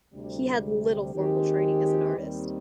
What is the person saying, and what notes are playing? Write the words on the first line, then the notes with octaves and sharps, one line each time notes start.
He had little formal training as an artist.
D2 C3 G3
D#2 D#3 G#3 C4 G4
D#2 D#3 G3 C4